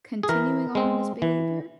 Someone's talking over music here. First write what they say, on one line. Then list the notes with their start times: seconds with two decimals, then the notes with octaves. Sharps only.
continuing on in this behavior,
0.23 G#4
0.29 E3 A#4
0.75 G#3 C4
1.22 E3